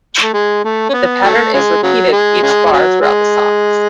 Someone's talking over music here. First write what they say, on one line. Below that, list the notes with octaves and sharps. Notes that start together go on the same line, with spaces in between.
The pattern is repeated each bar throughout the song.
A3
G#3
A3
C#4
B3
F#3 A3
C#3 G#3
C#3 F#3
G#3
C#3 G#3
G#3
C#3 F#3
G#3